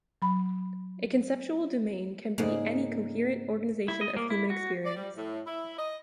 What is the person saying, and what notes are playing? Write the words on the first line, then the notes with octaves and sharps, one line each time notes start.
A conceptual domain can be any coherent organization of human experience.
F#3 B5
G#2 C#3 A#3 D5
E4
D#5
A#3
E4
F#4
D5
G3
A2
E4
D#5